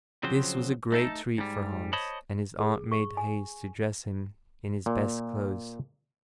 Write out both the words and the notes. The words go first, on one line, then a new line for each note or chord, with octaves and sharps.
This was a great treat for Hans, and his aunt made haste to dress him in his best clothes.
C#3 F3 F#3 C4 C5
A3 D#4 A4
G#2 G3
C5 C#5 D#5 A5 B5
G#4
C#6
G#5
A#2